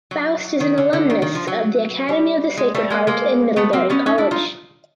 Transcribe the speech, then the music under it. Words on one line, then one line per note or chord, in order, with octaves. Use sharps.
Faust is an alumnus of the Academy of the Sacred Heart and Middlebury College.
F#3
D#3
D3
D3
D#3
D#3
F3
F#3
G3
G#3
G3 A3
G#3 A#3
G#3 A#3
A3 B3
A#3 C4
B3 C#4
C#4 D#4
D4 E4
D#4 F4